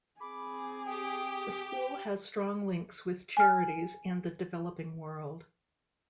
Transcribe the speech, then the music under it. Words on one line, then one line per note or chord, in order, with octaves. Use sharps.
The school has strong links with charities and the developing world.
C4 G#4 B5 D6
G4 G5 D#6
G#5 F6